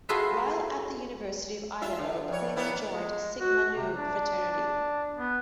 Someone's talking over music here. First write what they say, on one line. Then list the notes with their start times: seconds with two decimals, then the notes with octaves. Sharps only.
While at the University of Idaho, Kramer joined Sigma Nu fraternity.
0.09 F4 F#4 G#4 A4 B4 E5
1.82 F4 E5
1.98 D3
2.28 F2 C#5
2.56 A#3 B3 E4
2.90 G#3
3.40 F#4
3.76 C3
3.94 D4
4.51 D4
5.16 B3